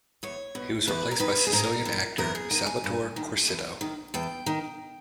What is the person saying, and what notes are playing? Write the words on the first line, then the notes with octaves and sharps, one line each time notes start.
He was replaced by Sicilian actor Salvatore Corsitto.
E2 C#5
B2
E2 B4
A#4
D#3 B4
G#4
G#2 A#4
E3
E2 A#4
G#4
D#3 A#4
G#5
G2
D#3
E2
D#3
E2 G5
D#3